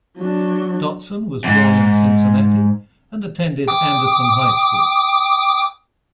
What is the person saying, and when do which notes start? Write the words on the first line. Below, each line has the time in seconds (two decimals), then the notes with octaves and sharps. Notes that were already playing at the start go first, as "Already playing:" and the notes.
Dotson was born in Cincinnati and attended Anderson High School.
0.18 F#3 D4
1.44 E2 G#2
3.68 G5 D6 D#6